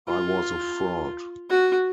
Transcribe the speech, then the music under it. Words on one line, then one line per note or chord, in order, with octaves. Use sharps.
I was a fraud.
F4
F#4